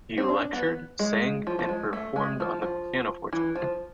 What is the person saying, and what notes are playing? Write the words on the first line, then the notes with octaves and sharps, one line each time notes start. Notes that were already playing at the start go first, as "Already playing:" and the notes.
He lectured, sang, and performed on the pianoforte.
C4
D4
B3
G#3
F3
F3
G#3
A3
G#3
F3
F3
E3
F3